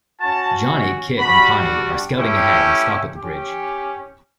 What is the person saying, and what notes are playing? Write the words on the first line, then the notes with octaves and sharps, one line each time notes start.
Johnny, Kit and Pawnee are scouting ahead and stop at the bridge.
C#4 F#4 A5
G3 D4 F#4 B5
A3 C#4 E4 G4 G5
C#4 G4